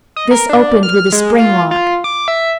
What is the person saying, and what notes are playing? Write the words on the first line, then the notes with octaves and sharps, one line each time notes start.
This opened with a spring lock.
D#5
A#4
D4
F6
G#3
F4
F4
D6
E5